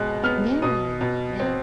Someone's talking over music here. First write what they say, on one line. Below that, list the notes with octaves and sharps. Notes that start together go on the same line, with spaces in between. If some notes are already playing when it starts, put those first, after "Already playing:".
Yeah, yeah.
Already playing: B2 G#3 F#6
B3 F6
B2 D#6
B2
C4